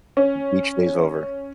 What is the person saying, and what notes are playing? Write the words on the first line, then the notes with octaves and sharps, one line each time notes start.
Beach day's over.
C#4